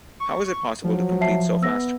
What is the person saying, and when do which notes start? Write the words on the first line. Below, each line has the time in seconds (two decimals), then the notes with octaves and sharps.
How is it possible to complete so fast?
0.20 C#6
0.84 F3 F#3
1.21 E5 A5 C7
1.63 B3 E6 A#6